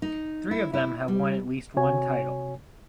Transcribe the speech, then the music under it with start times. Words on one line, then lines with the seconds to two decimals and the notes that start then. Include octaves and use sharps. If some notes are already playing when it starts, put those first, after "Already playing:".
Three of them have won at least one title.
0.02 D#4
0.51 E4
0.73 E4
1.08 G3
1.77 C3 F#4 C#5 G#5